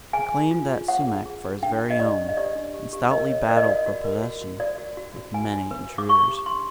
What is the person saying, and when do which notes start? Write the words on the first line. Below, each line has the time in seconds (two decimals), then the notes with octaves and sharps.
He claimed that sumac for his very own, and stoutly battled for possession with many intruders.
0.13 G#4 G#5
0.32 G#4
0.51 F4
0.70 G#4
0.88 C#5 F#5
1.07 G#4
1.25 G#4
1.44 G#4
1.62 D4 G5
1.81 G4
1.90 D#5
1.99 G4 D5
2.19 D4
2.29 D#5
2.37 G4 D5
2.55 D4
2.74 G4
2.93 G4
3.11 A#4 D#5
3.30 C#5
3.49 A#4 D5
3.57 D#5
3.64 F#4 D5
3.86 F#4
4.04 A#4
4.22 F#4
4.41 F#4
4.60 F#4 D5
4.78 F#4
4.97 F#4
5.16 F#4
5.34 B4 G#5
5.53 F#4
5.71 B4
5.90 B4
5.98 D6
6.09 G4 C#6
6.28 G4
6.46 D4 C6